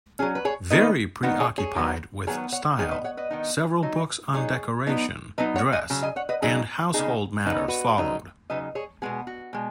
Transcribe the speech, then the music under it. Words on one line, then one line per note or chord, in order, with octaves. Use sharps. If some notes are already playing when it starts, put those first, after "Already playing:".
Very preoccupied with style, several books on decoration, dress, and household matters followed.
F#3 C#4 G#4
B4
G#4 C#5
D#3 B3 D#4 B4 D#5
D#3 B3 D#4 F#4 B4
G#4 C#5
G#4 C#5
D#3 F#3 B3
D#3 F#3 B3 G#4 C#5
C#5 F#5
D#3 B3 D#4 G#4 C#5
B4 D#5
C#5 F#5
B4 D#5
D#3 B3 D#4
F#3 D#4
F#3 D#4 G#4 C#5
F#3 B3 D#4
F#3 B3 D#4 B4 D#5
C#5 F#5
D#5 G#5
C#3 F#3
D#5 G#5
C#5 F#5
B4 D#5
C#3 F#3 D#4 G#4
C#3 B3 D#4 G#4
C#3 B3 D#4 B4
C#5
F#4 B4
C#3 F#3 D#4
C#3 F#3 D#4 B4 D#5
G#4 C#5
B2 G#3 B3 G#4
F#4
B2 G#3